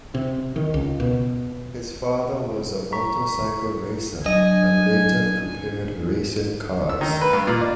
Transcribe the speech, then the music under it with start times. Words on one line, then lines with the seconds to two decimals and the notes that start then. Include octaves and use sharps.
His father was a motorcycle racer and later prepared racing cars.
0.15 C3
0.56 D#3
0.74 C#2
1.00 B2
2.93 A#5 C#6 B6
4.26 F#3 D4 D#5 G#5
6.89 E6
7.01 D#3
7.21 B4
7.33 G2
7.47 A#2
7.61 D5